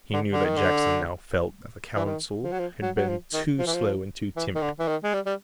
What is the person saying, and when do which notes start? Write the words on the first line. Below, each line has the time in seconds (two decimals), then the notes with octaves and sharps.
He knew that Jackson now felt that the council had been too slow and too timid.
0.13 D3
0.32 D3
0.44 D#3
0.57 D3
1.96 E3
2.05 D#3
2.44 F3
2.52 F#3
2.59 F3
2.82 F#3
2.96 F#3
3.08 F3
3.33 D#3
3.59 F3
3.67 E3
3.74 F3
4.36 E3
4.55 D#3
4.62 D3
4.80 E3
4.88 D#3
5.04 G#3
5.14 G3
5.26 G3